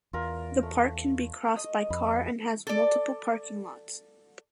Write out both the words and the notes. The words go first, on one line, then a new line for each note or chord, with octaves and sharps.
The park can be crossed by car and has multiple parking lots.
E2 F4 A#4
A3
D#5
F2 B5
A4 D5